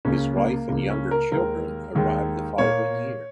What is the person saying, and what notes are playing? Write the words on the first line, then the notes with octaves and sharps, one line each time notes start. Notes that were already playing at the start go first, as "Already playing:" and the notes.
His wife and younger children arrived the following year.
C#2 C#3 A#3 C#4
A#3
C#2 C#3 A#3
C#4
A#4
D#2 D#3 G#3 A#4
D#2 D#3 G#3
A#2 A#3 C#5